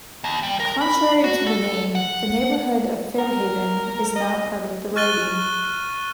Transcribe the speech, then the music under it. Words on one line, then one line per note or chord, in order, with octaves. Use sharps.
Contrary to the name, the neighbourhood of Fairhaven is not part of the riding.
D#2
G3
A#4
B5
F#4
A4
F#5
A#4
D#5
C#6 F6 F#6 A6 D#7 G7